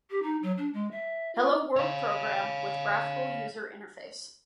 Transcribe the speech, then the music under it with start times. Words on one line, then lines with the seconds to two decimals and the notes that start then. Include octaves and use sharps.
Hello world program with graphical user interface.
0.10 G4
0.22 D#4
0.43 F#3
0.57 D4
0.73 G#3
0.91 E5
1.35 F4
1.76 C#5 F5